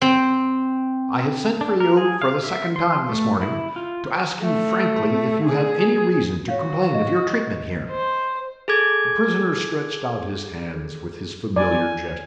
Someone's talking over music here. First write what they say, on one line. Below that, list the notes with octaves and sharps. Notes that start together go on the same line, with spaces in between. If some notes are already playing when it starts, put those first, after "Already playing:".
"I have sent for you, for the second time this morning, to ask you frankly if you have any reason to complain of your treatment here?" The prisoner stretched out his hands with his familiar gesture.
C4
D4
A#4
G#4
F5
E5
C6
A3
E4
F4
A3
G#4
F#4 C#5 F5
D#5
C5
G#4 A4 D6 G#6
D5 G#5